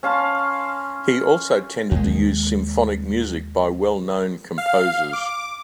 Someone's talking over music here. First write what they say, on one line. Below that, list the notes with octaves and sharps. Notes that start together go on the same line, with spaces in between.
He also tended to use symphonic music by well-know composers.
C#4 F5 A5 C6
D#2 G#3
F5
D6